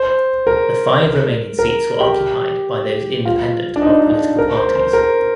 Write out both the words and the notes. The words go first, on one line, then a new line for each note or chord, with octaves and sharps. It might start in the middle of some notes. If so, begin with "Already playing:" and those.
The five remaining seats were occupied by those independent of political parties.
Already playing: C5
A#4
A#4
G4
F4
D4
D#4
D#4
D4
A#4
C5
C5
A#4